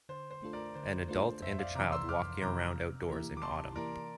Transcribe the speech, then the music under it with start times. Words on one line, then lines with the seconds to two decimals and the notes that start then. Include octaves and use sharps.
An adult and a child walking around outdoors in Autumn.
0.09 D3 C5
0.31 C5
0.42 A3 D4 F4 A4
0.53 A#4 D5
0.75 D3 C5
1.08 A3 D4 F4 A4 C5
1.42 F2 C5 E5
1.58 D5 F5
1.75 C3 E3 A#5 D6
1.92 C6 E6
2.09 F2 D6 F6
2.42 C3 E3 A#5 D6
2.75 C3
3.08 E3 A#3 E4 G4
3.37 D6
3.42 C3 A5 C6
3.76 E3 A#3 E4 G4 A#4 D5